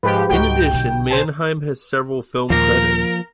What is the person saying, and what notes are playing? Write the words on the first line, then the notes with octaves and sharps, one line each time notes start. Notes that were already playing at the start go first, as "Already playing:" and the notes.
In addition, Manheim has several film credits.
G#2 F3 G4 B4
C#2 G#2 D#4 F#4 G4 G5
B1 D3
C5 G#5 A5
D#2 A#2 F3 A#3 A#4